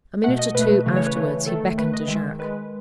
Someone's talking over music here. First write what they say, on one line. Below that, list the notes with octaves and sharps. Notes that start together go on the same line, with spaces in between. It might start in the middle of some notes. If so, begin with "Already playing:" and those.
A minute or two afterwards, he beckoned to Jacques.
B2 A3 F#5
D#5
B2 A3 B4
C#3 E3 A3
C#5
B4
C#3 E3 A3
D#3 A3 A4
D#3 A3 B4
D#5
D#3 G#3 E5
D#3 G#3 B4